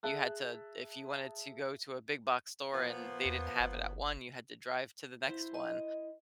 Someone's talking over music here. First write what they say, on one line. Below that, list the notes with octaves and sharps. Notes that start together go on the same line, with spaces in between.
you had to if you wanted to go to a big box store and they didn't have it at one, you had to drive to the next next one
G#4 E5 A5 F#6
A#2 F3 B3
E2
G1
E4 C5
D#5